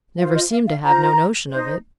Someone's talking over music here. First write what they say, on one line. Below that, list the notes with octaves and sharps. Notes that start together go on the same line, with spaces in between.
Never seemed to have no notion of it.
F4 C5 F5
D#5
F5
F5
F4 C5 A#5
D#4 C5